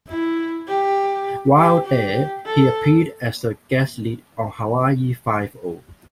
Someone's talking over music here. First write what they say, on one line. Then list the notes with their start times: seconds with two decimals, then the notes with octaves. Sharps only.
While there, he appeared as a guest lead on "Hawaii Five-O".
0.09 E4
0.68 G4
1.57 G4
1.86 G4
2.45 A4